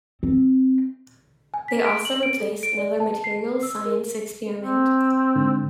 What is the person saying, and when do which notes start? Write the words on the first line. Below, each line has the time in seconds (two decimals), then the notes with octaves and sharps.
They also replaced another materials science experiment.
0.23 C4
1.54 G#5
1.68 B6
1.85 D7
2.05 F#7
2.23 D7
2.40 A4
2.63 D7
2.77 D5
3.00 A5
3.24 C7
3.63 E6
3.85 A#4
4.59 C4
5.36 G#2 D3